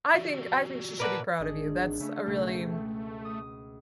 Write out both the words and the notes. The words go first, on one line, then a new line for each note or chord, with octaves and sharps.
I think I think she should be proud of you, that's a really
F#4 G4 D5
A#2 A#4 B4 D5 F#5 A5
G#1 D4 G#4 D#5
C#3 A3 C#4
C#2 B2 A3 G5
G#3
D#6